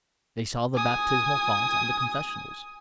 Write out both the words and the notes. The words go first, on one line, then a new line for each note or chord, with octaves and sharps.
They saw the baptismal font and the confessionals.
G#5 D#6